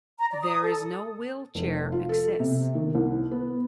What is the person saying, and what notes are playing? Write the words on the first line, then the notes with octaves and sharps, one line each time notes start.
There is no wheelchair access.
A#5
D5
D#6
A4
F1
F4
A4
C3
D#3
C2
B3